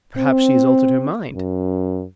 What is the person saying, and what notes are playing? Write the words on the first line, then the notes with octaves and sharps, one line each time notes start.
"Perhaps she has altered her mind."
C4
F#2